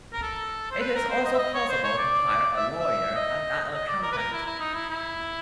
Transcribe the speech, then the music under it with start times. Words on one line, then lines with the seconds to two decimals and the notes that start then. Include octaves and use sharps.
It is also possible to hire a lawyer and an accountant.
0.13 A#4
0.22 A4
0.71 C5
0.80 B4
0.95 A#4
1.10 C5
1.25 D#5
1.34 E5
1.39 D#5
1.54 C#5
1.69 C5
1.83 C#5
1.98 D5
2.56 E5
2.79 E5
3.15 D#5
3.74 D#5
3.88 D5
4.02 A#4
4.12 B4
4.17 A#4
4.33 E4
4.47 E4
4.60 D#4
4.74 E4
4.90 E4